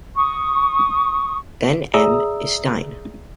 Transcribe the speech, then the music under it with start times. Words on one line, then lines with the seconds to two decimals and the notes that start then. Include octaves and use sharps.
Then "M" is Stein.
0.15 C#6 D#6
1.94 G#4 D5 E5 A#5 D#6 E6